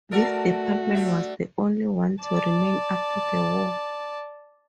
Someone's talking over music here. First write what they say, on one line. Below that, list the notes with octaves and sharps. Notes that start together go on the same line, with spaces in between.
This department was the only one to remain after the war.
A3 F#4 A4 A#4 D5
G3 D4 E5
D5 A5